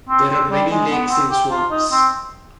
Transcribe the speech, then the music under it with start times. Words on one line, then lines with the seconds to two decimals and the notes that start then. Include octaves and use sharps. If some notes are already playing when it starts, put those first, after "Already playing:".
There are many lakes and swamps.
0.09 C4
0.30 C4
0.50 G3
0.70 G#3
0.91 B3
1.10 C4
1.30 G4
1.50 F4
1.70 D#4
1.92 C4